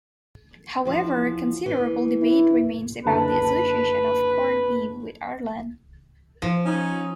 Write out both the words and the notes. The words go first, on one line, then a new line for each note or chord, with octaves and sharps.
However, considerable debate remains about the association of corned beef with Ireland.
E2 F3
E3
E4
F#1 D3 B4 A5
F3
C#4 D#4